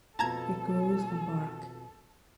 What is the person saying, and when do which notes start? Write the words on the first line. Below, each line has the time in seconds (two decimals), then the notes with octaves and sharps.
It grows on bark.
0.19 F2 B2 F4 A4 A5 A#5 G#6